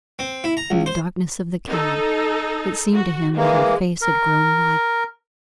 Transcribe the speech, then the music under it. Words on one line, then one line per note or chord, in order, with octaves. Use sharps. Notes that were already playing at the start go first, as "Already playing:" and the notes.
In the darkness of the cab it seemed to him that her face had grown whiter.
C4
E4
A#5
C#2
C5
D#4 A4
F#4
E3 G#3 A#3
A#4